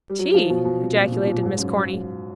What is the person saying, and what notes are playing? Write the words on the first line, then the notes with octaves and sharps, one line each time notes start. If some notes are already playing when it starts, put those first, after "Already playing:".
"Tea!" ejaculated Miss Corny.
G3
F#3
F3
B2
B2
C3
A#2
A#2
A#2
G#2
F#2
F#2